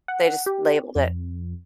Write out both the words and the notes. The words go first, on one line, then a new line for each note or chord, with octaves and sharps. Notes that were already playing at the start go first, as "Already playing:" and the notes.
They just labeled it.
F#5
G4
F2